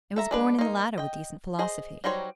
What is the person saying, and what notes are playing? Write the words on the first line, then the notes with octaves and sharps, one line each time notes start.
It was borne in the latter with decent philosophy.
A4 E5 A#5
G#3 D4 B4
A#3 D#4
D#5 G5
G#4 C5 D#5
F#3 G3 D#4 C5 C#5